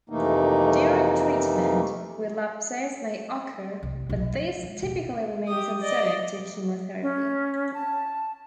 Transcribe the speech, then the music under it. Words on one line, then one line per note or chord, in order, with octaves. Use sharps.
During treatment, relapses may occur but these typically remain sensitive to chemotherapy.
F2 C3 E3 A3 A#3 D#4
C2 C3
D1 B1
F3
G#3
E1 A1
G4 D#6
D5 D#5
C#4
A5